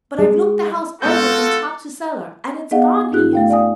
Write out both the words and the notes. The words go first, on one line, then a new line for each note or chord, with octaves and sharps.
But I've looked the house over from top to cellar, and it's gone he is.
G#3
G#2 B3 F4 F#4 A4 G6
B3 D#4 G#4 D#5 F5 F#5
G2 D4 E4 F#4 G#4 F#6
A3 F5 G5
D5 F5 G#5 D#6